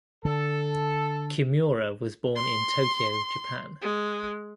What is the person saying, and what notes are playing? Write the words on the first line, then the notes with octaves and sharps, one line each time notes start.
Kimura was born in Tokyo, Japan.
D3 A4
C6
G#3